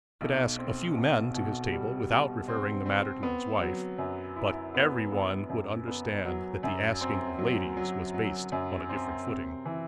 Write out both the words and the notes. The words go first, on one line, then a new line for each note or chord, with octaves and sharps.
He could ask a few men to his table without referring the matter to his wife; but every one would understand that the asking of ladies was based on a different footing.
B1
C4
B2
B2
G3
B2
C4
C4
B3
F#3
F#2
E4
B3
B3
F#2
B3
F#3
F#2
C4
F#3
F#3
F#3
F#2
C4
C3
E3